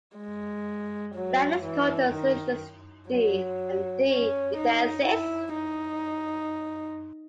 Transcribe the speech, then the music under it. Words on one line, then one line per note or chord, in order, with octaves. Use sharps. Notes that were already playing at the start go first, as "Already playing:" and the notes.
Let us call the solutions "d" and "d", if they exist.
G#3
F#3
E3
D#3
F#3
C#4
D#4
E4
D#4